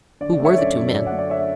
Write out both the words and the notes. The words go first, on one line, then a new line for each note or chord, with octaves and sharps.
"Who were the two men?"
D3 D5
D5
A3 C#5 E5
F#2 D5
F#3 C#5
D3 D5
D5 F#5
A3
D5
C#5 E5